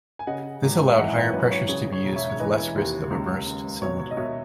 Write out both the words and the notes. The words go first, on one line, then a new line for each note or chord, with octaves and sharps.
This allowed higher pressures to be used with less risk of a burst cylinder.
G#5
C#3 D#5 F#5
G#1
E5
E3 D#5 F#5
B4
C#5
F#2 B4
C#5
C#3 C#5
C#5
E1
C#5 E5
C#5
E3 B4 D#5
D#2
C#2
C#2
B2 C#5
C#5
D#5
B2 C#5 E5